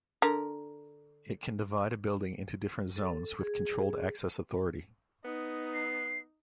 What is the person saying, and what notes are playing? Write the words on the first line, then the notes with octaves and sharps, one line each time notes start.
It can divide a building into different zones with controlled access authority.
D3 A#4
A4
G#4
B3 D#4
C7